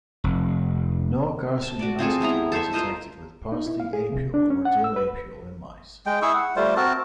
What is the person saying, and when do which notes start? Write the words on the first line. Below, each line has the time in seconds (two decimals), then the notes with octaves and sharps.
No carcinogenicity was detected with parsley apiol or dill apiol in mice.
0.24 F1
1.62 A5
1.79 F#4 D5
1.99 C4 F4 G#4 A4
2.21 G#3 B3 E4 A#5
2.52 A4 C5 C#5 E5
2.73 F4 A#4 C5 D#5
3.52 D#4
3.66 E4
3.80 F5
3.93 G#4
4.12 C3
4.34 D4
4.50 C#4
4.65 F#5
4.84 E6
4.96 B4
6.06 G#3 G5
6.22 E4 G#4 C#6 E6
6.34 F#5
6.56 G3 A3 F4 C5
6.76 C4 F#4 A#4 A5